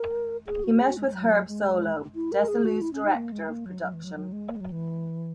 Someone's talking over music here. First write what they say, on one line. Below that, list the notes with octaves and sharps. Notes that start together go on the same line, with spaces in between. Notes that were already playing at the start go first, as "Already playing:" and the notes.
He met with Herb Solow, Desilu's Director of Production.
Already playing: A#4
G#4
F#4
G#4
F#4
G#3
G#3
F#3
G#3
E4
A#4
G#4
F#4
E4
C#4
D#4
A#3
G#3
A#3
F#3
F#3
E3
F#3
F#3
G#3
A#3
G#3
F#3
E3